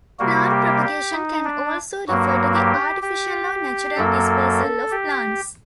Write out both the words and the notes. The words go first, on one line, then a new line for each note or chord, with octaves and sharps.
Plant propagation can also refer to the artificial or natural dispersal of plants.
C3 G3 A#3 F#4
G4
G4
D#4
D4
G2 F#3 A#3 F#4
G4
G4
F#2 F#3 A#3 A4
G4